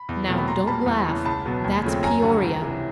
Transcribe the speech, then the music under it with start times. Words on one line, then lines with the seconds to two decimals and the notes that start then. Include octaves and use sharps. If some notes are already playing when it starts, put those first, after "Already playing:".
"Now, don't laugh--that's Peoria!"
Already playing: B5
0.09 E2
0.28 B2 F#3 A3 C4
0.38 B5
0.47 A#2 A#5 C6
0.67 G3 A#3 A5 B5
0.86 E2
1.06 C#3 E3
1.25 C#2 A5 B5
1.45 B2 F#3 B3
1.64 D#2
1.83 C#3 F3 A3 C4
2.03 F#2 G#5 A#5
2.22 D3 G3
2.42 C#2
2.62 C3 E3